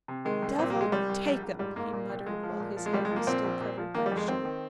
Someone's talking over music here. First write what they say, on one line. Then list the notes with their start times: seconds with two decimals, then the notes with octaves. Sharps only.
"Devil take 'em!" he muttered, while his head was still covered by the shirt.
0.08 C3
0.25 D#3 G#3
0.42 C2
0.59 A#2 C4
0.70 A#3
0.76 C2
0.81 G#3
0.92 C2 G3
1.09 C2
1.26 A#1
1.43 A#1
1.59 G#2 G3
1.76 G#2 A#3
1.93 A#2
2.10 C2
2.26 F3 G#3
2.43 F3
2.60 A#2
2.77 F3
2.86 G#3
2.93 C2 G3
3.05 G#3
3.11 F3
3.16 A#3
3.27 A#2 C4
3.44 A#1
3.61 A#2
3.78 F3
3.94 D#3 A#3
4.06 G3
4.11 F2
4.17 G#3
4.28 D#3 C4
4.45 D#3